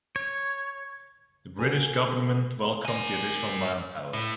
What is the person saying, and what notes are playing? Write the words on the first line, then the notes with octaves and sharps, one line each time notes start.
The British government welcomed the additional manpower.
C#5
F#4 A4 A#4 G#5
A#4 G#5
A2